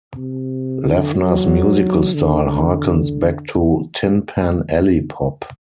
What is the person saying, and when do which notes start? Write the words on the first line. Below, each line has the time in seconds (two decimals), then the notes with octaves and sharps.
Lavner's musical style harkens back to Tin Pan Alley pop.
0.17 C3
0.83 D3
1.15 F#3
2.14 D3